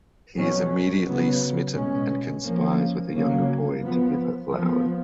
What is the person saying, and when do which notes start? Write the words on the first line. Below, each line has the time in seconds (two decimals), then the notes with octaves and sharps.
He is immediately smitten and conspires with a younger boy to give her flowers.
0.36 B2 F#3 C#4
1.06 C#3 F#3 B3
1.74 B2 G#3 C#4
2.44 F3 A#3 C#4
3.14 C#3 F#3 A#3 C#4
3.82 F3 B3
4.52 F3 B3